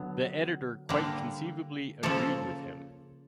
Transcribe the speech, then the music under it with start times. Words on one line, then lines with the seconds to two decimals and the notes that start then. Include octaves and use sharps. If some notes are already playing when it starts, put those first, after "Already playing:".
The editor quite conceivably agreed with him.
Already playing: D3 F#3 B3
0.89 D3 G3 A#3
2.03 C#3 F3 A#3 A4